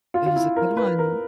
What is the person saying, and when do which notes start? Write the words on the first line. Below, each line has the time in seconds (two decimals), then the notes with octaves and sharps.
It was a good one.
0.14 F4
0.26 F4
0.36 E4
0.56 A#4
0.77 B4
0.99 A#4